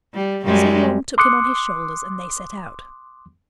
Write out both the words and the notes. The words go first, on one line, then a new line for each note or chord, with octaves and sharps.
So Long took him on his shoulders and they set out.
G3
F#2 G3 G#3
C6 D6 D#6 F#6 C#7